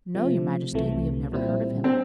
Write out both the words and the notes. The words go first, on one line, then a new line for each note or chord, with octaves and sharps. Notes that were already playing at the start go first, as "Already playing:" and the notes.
'No, your majesty, we have never heard of him.'
C3 F3 A3
C2 C3 E3 A3
A#2 G3 C4 E4
C4